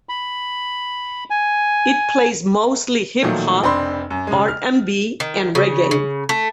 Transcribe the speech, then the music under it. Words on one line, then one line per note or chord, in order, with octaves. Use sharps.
It plays mostly hip hop, R and B, and reggae.
B5
G#5
A#2 D#3 F3 F#3 A3
F1 C4 D4 B5 C6
F#2
C#3 G#3
F6
D#3
C#3
C#3
A3